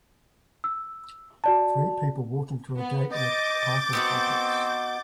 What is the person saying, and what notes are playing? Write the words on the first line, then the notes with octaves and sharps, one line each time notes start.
Three people walking through a gate in a parking complex.
E6
F#4 D5 A5
B3
D#5 D6 G6 A6
B3 C4 D#4 F#4